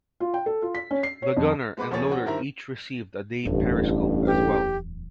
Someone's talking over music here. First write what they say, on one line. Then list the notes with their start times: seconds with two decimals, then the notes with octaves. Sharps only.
The gunner and loader each received a day periscope as well.
0.20 F4
0.34 G5
0.46 A4
0.62 F4
0.75 B6
0.91 C#4
1.03 C7
1.22 C#5
1.37 F2
1.77 G#3 B3 B4 D6
1.91 D#1 F3 B3 G#4 C#5 A6
2.11 C4 C#4 F#4
2.26 G2 D#3 E4 A#4 C5 A#5
3.45 D1 A1 E2 G2
4.26 G4